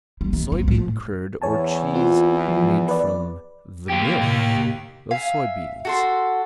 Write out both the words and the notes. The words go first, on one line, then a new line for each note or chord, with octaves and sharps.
Soybean curd or cheese made from the "milk" of soybeans.
G3
D#3
C2
A2
E2 C#5 G#5 A5
C4 F4
F3
B4 D5
A#3 G4
A2 C3
E5 F5 G#5
F#4 A4 C6